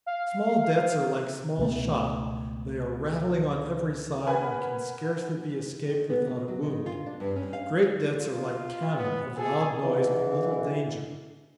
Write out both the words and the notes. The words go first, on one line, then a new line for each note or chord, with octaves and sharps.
Small debts are like small shot; they are rattling on every side, and can scarcely be escaped without a wound: great debts are like cannon; of loud noise, but little danger.
F5
C#2 B2 A3 B3
A#4 B4 F#5 G#5 B5
D#3
B3
A#3
F#3
D#3
F4
D4
G2
C#4
F5
F4
B3
G#4 A4
E2 G#2 B2 E3